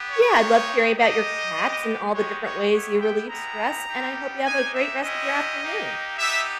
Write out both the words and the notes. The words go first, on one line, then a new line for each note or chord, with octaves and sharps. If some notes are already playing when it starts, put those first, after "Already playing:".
Yeah, I loved hearing about your cats and all the different ways you relieve stress, and I hope you have a great rest of your afternoon.
Already playing: B3 G4
C#5
G#3 D#4 G4
G#3 D#4 G4 D#5
G#3 B3 G4
G#3 B3 D#4 G4 C#5
C#5
B3 E4 G4 C#5
G5
G#3 B3 E4 G4 A#5
G3 B3 D#4 G4
G#3 D#4 G4 G#5
E5
G#3 C#4 E4 G4 D#5
A#3 D#4 G4
B3 D#4 G4 E5